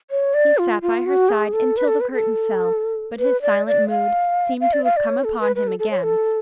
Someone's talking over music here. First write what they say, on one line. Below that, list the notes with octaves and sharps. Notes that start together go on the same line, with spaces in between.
He sat by her side until the curtain fell; but his silent mood seemed to have come upon him again.
C#5
D5
F4
F4
F#4
G#4
A4
B4
A4
B4
A4
B4
D5
D5
F5
F5
D5
F5
D5
C#5
A4
B4
B4
A4
A4
C#5
A4